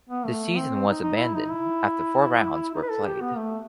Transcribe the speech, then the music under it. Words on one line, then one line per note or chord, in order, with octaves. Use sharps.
The season was abandoned after four rounds were played.
B3
A3
C4
D#4
D#4
E4
D#4
E4
D#4
B4
A4
G4
B3
A3